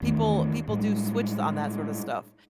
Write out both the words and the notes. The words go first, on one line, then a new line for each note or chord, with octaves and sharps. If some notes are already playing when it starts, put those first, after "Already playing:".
people people do switch on that sorta stuff.
E2 D#3 A3 C4
A2 G3 G#3